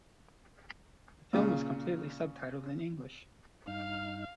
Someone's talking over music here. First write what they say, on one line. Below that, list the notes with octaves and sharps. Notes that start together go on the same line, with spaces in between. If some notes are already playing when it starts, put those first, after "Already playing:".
The film was completely subtitled in English.
A#2 C#3
G2 D#4 F5 F6